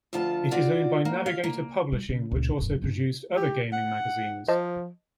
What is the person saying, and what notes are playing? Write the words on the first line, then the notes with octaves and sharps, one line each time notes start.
It is owned by Navigator Publishing, which also produced other gaming magazines.
D2 F3 F4 A4 A5
F4 F#4 D5
A#3
F5
A#3
G3
C#3
C#2 A#2
D#1 F#2
G2 D4
G4
F#5
F3 C5 D#5 A5